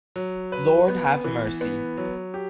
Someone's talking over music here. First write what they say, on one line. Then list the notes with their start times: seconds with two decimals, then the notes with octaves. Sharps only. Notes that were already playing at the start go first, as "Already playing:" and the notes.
Lord Have Mercy!
0.16 F#3
0.52 B4
0.88 B3
1.25 E3
1.61 B3
1.97 F#3
2.34 G4